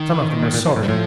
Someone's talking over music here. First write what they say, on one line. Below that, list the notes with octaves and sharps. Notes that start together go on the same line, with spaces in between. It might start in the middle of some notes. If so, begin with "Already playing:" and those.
Some of them were sobbing.
Already playing: D#3
A#2
A#2
F3
A2
G3
A2 F3